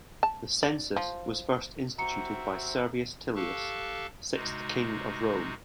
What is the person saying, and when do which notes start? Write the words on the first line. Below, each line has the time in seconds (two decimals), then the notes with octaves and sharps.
The "census" was first instituted by Servius Tullius, sixth king of Rome.
0.23 A5
0.63 D5
0.97 F3
1.98 C4 F#4 E5 A#5 C#7
3.35 G4 A4 F5 A5 C#6 F#6
4.34 C3 G#3 D#4 F#4